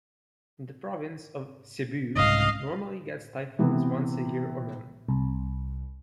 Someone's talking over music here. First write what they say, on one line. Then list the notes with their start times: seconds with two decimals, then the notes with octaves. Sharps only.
The province of Cebu normally gets typhoons once a year or none.
2.15 C2 G#2 C#3 D#5 F5
3.59 C3 E3 B3
5.09 C2